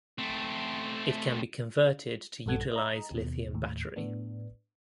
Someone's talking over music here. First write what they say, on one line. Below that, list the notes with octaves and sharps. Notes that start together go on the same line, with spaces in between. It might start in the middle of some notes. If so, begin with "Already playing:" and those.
It can be converted to utilize lithium battery.
A3 C4
A#1 G2 A4 F#5 G#6
D#5 A#5
D#2 B2
D#2 A2
A2 B3 D4